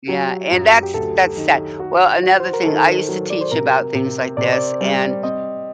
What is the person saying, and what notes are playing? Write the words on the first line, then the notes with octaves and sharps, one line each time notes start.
Yeah, and that's that's sad. Well, another thing, I used to teach about things like this, and
F#3 G4
F#2
G4
D2 A4
D#3
F#4
F#4
C5
A#4
D#3 A4
F#3
D5
C5
C3 A#4
C3
C3 D5
C5
D5
G3
C4 D#5